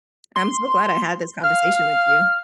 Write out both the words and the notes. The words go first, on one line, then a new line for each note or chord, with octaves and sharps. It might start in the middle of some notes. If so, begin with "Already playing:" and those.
I'm so glad I had this conversation with you.
C6
F5 F6